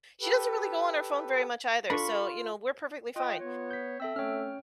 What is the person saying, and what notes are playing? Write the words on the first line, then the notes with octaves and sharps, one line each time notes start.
she doesn't really go on her phone very much either, so, you know, we're perfectly fine.
G4 A4 B4
D4 F4 A4 B5 C#6
F4 D#5 G5
B3 C#5
G6 B6
C4 A4 E5 E6
A3 C4 C#4 C#5 G5 F6